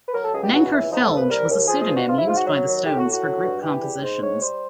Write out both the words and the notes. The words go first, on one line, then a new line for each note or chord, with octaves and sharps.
"Nanker Phelge" was a pseudomyn used by the Stones for group compositions.
B4
F#3 A#4
A4
C#2 G#4
G4
E3 F#4
C#2 E4
F3 D#4
A4
C2
B4
G3 A#4
D#2
F3 G#4
G#4
G2
F#4
G#2 F4
E4
G#2 F4
F#4
F#3
D#2
A2 G4
F#4
A2
F#4
F#3
G2
E3 G4
E2
G#2 C5
G#2 C#5
G3 C5